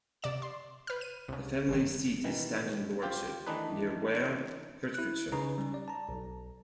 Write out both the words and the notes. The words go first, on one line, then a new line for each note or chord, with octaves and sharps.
The family seat is Standon Lordship, near Ware, Hertfordshire.
C3 D5 E7
C6
B4 F6
D#7
C2 C#3
G1 G2 D#3
B2 D#3 E3
F4 G4 C5
D#3 E3 A3 D4 D#4 B4
E4 F#6
C#3 C#4 D#4 B4 A#5
G3 C#4
D5
A5 A#5
B1